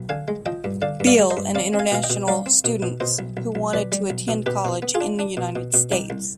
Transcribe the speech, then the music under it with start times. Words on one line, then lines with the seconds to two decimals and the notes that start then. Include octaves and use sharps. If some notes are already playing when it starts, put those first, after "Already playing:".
Bill, and international students who wanted to attend college in the United States.
Already playing: B1
0.09 D3 F5 G#5
0.28 G#3
0.46 F3 D#5 G5
0.64 G2
0.82 D3 D5 F5
1.00 G2
1.07 D5 F5
1.19 G#3
1.30 C5 D#5
1.37 G2
1.55 C4 D5 F5
1.74 C4
1.79 F5 G#5
1.92 B2 F5
2.03 D#5 G5
2.10 B2
2.28 G3 D5 F5
2.46 C4
2.64 B2
2.82 B2
3.00 B2 C5 D#5
3.19 B1
3.37 B1
3.55 B1
3.73 B1 B4 D5
3.92 G3
4.10 B1
4.28 B2
4.46 B2 G4 B4
4.65 B2
4.82 B3
4.95 F4 G#4
5.01 D4
5.19 D4
5.37 B2
5.56 B2
5.74 B2
5.92 C2 D#4 G4
6.10 C2